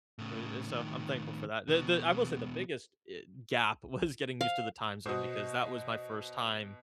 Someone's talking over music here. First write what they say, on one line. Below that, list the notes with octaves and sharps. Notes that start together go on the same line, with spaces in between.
eh eh, so I'm thankful for that. The the I will say the biggest, eh, gap was getting used to the time zone because that was my first time
A2 C#3
A2 D#3
E2 B2
F5
B2 F#4 C5 D#5 D#6